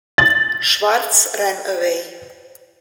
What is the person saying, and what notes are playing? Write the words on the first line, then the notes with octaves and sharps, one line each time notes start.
Schwartz ran away.
A6 F#7